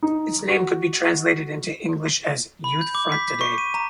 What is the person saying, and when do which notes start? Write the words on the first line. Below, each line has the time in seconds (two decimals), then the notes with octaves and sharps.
Its name could be translated into English as "Youth Front Today".
0.03 D#4
0.49 F#4
2.64 B5
2.81 G6
2.95 D6
3.12 B6
3.28 B6
3.41 C#6
3.58 D#7
3.74 A#5